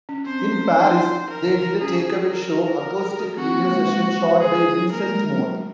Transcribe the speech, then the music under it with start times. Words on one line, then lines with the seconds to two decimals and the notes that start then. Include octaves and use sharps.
In Paris, they did a "Take-Away Show" acoustic video session shot by Vincent Moon.
0.09 C#4
0.26 C4 C5
0.39 C#4
0.52 C#4
0.65 C#4
0.78 D#4 C5
1.30 A#4
1.81 C#4 G#4
1.95 F4
2.07 F#4
2.20 F4
2.33 F#4 A#4
2.50 F#4
2.67 F4
3.02 G#4
3.20 F#4
3.37 C4 F#4
3.54 A#3
3.71 G#3
3.88 G#3
4.41 G#4
4.92 A#3 A#4
5.09 G#3
5.26 F#3
5.44 F#3